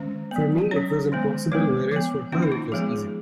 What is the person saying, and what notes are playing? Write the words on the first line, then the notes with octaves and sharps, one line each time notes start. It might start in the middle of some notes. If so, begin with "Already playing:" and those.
For me it was impossible, whereas for her it was easy.
Already playing: D#3 G#3 C#4
F#3 B3
F#3 C#4 C#5
D#3 G#3 B3
F3 G#3 B3 B4
F3 B3
D#3 A#3 C#4 F4
D#4
F4
F3 G#3 B3 G#4